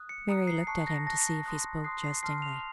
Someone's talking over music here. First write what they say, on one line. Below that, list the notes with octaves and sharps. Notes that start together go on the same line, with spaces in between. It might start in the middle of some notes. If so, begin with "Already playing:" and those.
Mary looked at him to see if he spoke jestingly.
Already playing: D#6 F#6
C#7
A#5 D#6 F#6 C#7
C7
A5 C#6 F#6 C7
A#6
A5 C#6 F#6 A#6
C6 D#6 F#6
C6 D#6 F#6 C7
C7
A5 C6 F6 C7
F7